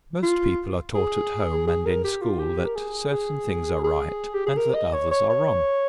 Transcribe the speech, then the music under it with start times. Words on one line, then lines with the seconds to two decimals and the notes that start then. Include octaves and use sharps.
Most people are taught at home and in school that certain things are right and that others are wrong.
0.23 F4
0.95 G#4
1.68 G#4
1.86 A#4
2.04 G4
2.22 F4
2.40 G4
2.65 A#4
2.76 G#4
3.12 G#4
3.84 G#4
4.34 G4
4.46 G#4
4.57 A#4
4.75 D#5
4.93 C#5
5.11 C#5
5.29 C#5